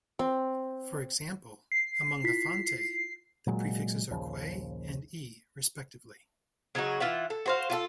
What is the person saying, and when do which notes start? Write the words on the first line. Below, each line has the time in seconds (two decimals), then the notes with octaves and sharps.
For example, among the Fante, the prefixes are "kwe-" and "e-", respectively.
0.19 C4
1.72 C7
2.24 E4 F4 B6
3.47 A#2 F#3 G#3
4.10 A#1 D#2 C#3 F3
6.75 C#3 F#3 D#4 F#4
7.00 E3 F4 E5 F#5
7.30 A4
7.46 F#4 C5 F5
7.70 F4 F#4 A4